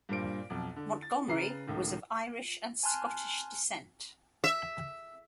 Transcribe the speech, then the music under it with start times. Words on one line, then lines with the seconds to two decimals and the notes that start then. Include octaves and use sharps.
Montgomery was of Irish and Scottish descent.
0.09 G2 A#2 C5 D7
0.50 B1 F2
0.76 D3
1.02 A6
1.28 C#3 B4 A#5 C7
1.67 C#2 A2 D#3
2.83 G#5 A5 C6 F6 F#6
4.44 E5